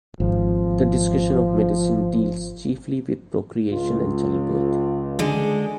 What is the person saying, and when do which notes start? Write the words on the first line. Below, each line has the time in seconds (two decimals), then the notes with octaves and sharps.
The discussion of medicine deals chiefly with procreation and childbirth.
0.20 G#1 F3
3.72 C#2 F4
5.19 D3 G#3 G#4